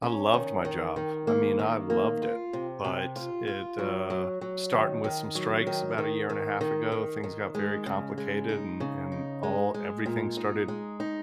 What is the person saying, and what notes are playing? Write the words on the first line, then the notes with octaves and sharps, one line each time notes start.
I loved my job. I mean, I loved it. But it, uh starting with some strikes about a year and a half ago, things got very complicated and and all everything started
C#4
D#3
D#3
D#3
A#3
D#3
A#3
F4
C3
C3
F4
F4
F#3
F#3
F#3
D#3
D#3
F#3
D#3
D#3
D#3
D#3
D#3
D#3
G#3
C#3
G#3
D#4
C#3
D#4
G#3
G#3
A#2
D#4
G#3
D#4